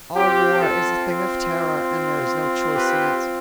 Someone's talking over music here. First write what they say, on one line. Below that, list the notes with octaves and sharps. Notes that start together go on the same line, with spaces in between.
All war is a thing of terror, and there is no choice in it.
C4 F4 G4
A4
G4 B4